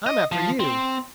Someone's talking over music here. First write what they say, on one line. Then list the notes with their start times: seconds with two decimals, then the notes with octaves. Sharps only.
"I'm after you."
0.06 D#5
0.32 F3
0.60 C4